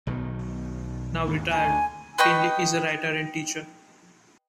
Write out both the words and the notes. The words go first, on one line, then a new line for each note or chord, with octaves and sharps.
Now retired, Tinley is a writer and teacher.
B1 B2 D#3
D#2 G#2
D2 G#5
B4 D#5 G5 C#6